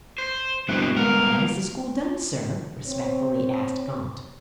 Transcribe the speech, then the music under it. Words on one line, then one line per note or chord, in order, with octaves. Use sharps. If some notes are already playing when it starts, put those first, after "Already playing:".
"What has the school done, sir?" respectfully asked Gaunt.
C5
G2 B2 G#3 C4 E4 F#6
G3 G#3 A#3 B3 A#4
C4 C#5